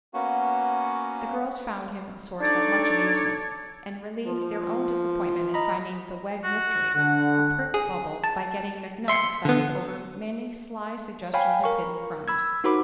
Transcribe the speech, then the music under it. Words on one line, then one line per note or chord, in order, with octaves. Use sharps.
The girls found him a source of much amusement, and relieved their own disappointment at finding the "Wegg Mystery" a pricked bubble by getting McNutt excited over many sly suggestions of hidden crimes.
A#3 B3 C#4 F#4
D4 D#4 A4 C#5 D5
F3
D#5 A#5 B5
F#4
D3 F#5
G#4
A5
E5 C6 C#7
D3 B3
C#5 F5 G5 G#5 B5
A#4 C#6
B5 E6 G#6
D#4 F#4 A#4 C5 B5 D6